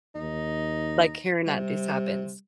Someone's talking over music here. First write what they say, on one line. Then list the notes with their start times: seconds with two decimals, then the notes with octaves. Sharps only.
like, hearing that this happens.
0.15 D#2 D#4
1.46 C3 G3